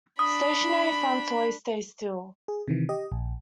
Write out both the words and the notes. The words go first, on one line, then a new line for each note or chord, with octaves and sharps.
Stationary fronts always stay still.
D4 B5 D#6
G#4
C3 D#3 E3
G4 D#5
A#1